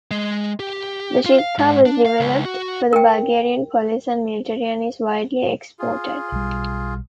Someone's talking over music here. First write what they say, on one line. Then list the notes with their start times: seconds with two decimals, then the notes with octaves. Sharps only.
The Shipka was developed for the Bulgarian police and military and is widely exported.
0.11 G#3
0.60 G4
1.26 F4
1.38 F5
1.58 G#2
1.86 D4
2.06 F5
2.20 C#2
2.45 F#4
2.93 A#4 G5
5.79 F4 G#4
6.32 B1 G3